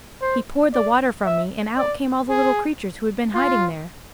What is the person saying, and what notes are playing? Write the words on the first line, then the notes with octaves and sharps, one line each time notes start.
"He poured the water from me, and out came all the little creatures who had been hiding there!"
C5
D5
E5
D5
G#4
F4